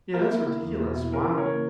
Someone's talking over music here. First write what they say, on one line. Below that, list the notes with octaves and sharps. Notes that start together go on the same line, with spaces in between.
Yeah, that's ridiculous. Wow.
A#3 A#4
E4
E4
E2
B2
E4
E3 A#4
C#3
A#4 C#5
A#3